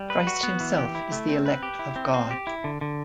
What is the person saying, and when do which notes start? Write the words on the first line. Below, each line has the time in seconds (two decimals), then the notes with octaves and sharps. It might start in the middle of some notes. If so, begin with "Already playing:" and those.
Christ himself is the elect of God.
Already playing: G3
0.10 B4
0.27 F#4
0.43 B3
0.60 E3
0.78 G4
0.95 E4
1.12 A3
1.29 C4
1.46 B4
1.63 G4
1.79 E4
1.96 C4
2.14 C4
2.31 G4
2.47 E4
2.64 D3
2.81 D3